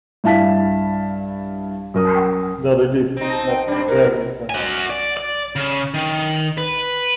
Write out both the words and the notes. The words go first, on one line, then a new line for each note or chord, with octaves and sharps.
The relief is not very pronounced.
G2 E4 F5 A5 B6
F#2 A#4 D#6
C4 D#4
A5
G5
G3 C4 D4
G#2 A#4
F#4 G#5
D5
D5
C#3
D#3
B4